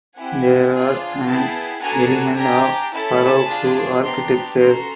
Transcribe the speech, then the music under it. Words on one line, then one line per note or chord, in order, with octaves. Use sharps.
They are an element of Baroque architecture.
C4 E4 G4 F#5 G#5
D4 F4 G#4
B3 E4 G#4 G5 A5
B3 D4 F#4 A4 G#5 A#5
D4 G4 G#5 A#5
C#4 E4 A4 A5 B5
D4 F4 G#4
B3 D4 G4 A#5 C6
C#4 F#4 A4 A#5 C6